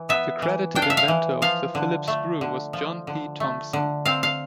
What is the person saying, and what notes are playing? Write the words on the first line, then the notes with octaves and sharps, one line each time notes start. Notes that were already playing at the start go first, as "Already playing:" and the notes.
The credited inventor of the Phillips screw was John P. Thompson.
Already playing: E3
B3 E5
E3
D4 G5
F5
E5
F5
E3
F3 F5
D3
A3
D3
F3
D3
A3
D3
C4 F5
F5